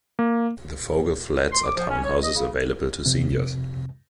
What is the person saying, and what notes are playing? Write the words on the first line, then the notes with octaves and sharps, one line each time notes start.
The Fogle Flats are townhouses available to seniors.
A#3
C6
D6
F3
C#4
C#5
D#5
C#3
C2 F2 C3